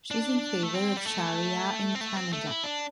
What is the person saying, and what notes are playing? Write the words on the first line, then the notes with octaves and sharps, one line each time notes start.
She is in favor of Sharia in Canada.
D4
A3
C4
G3
A3
C4
A3
C4
A3
E4
D4